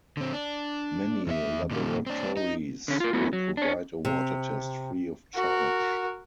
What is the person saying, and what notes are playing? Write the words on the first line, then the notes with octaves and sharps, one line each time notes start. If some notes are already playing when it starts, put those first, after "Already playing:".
Many laboratories will provide a water test free of charge.
D3 C4
D4
E2 D4 E5
A#2 D#3 G3 A3 A#3
C4 D4
D#4
D3 C#4
F4 A#4
A3 B3 E4 F#4
F#3
D4 C#5
C3
F#4 A#4